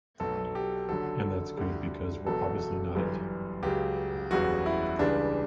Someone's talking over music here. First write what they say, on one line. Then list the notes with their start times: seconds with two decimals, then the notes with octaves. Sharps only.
And that's good, because we're obviously not it.
0.20 B1 B2 F#3 A4
0.55 G4
0.88 F#1 F#2 D3 F#3 A4
1.57 D2 D3 G3
2.26 E1 E2 B2 F#3 A4
2.95 G1 F#2 E3 G3
3.63 C#2 C#3 F#3 G4
4.31 F#1 E2 C#3 G3 F#4
4.66 E4
4.99 C#2 C#3 E3 G3 D4